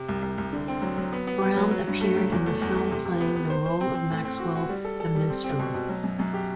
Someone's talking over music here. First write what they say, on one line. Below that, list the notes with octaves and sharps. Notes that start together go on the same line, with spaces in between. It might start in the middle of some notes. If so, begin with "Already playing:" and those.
Browne appeared in the film playing the role of Maxwell The Minstrel.
Already playing: C3
C2
C2
C2
D3
C4
F#3
F#3
B3
B3
B3
F#3
F#3
G2
A3
F#3
E2
A3
E2
A3
C3
C3
B3
B3
C5
C5
C4
C4
A2
C4
F#4
F#4
G3
A4
A4
G3
C4
C4
B2
B2
F#3
F#2
F#2
G4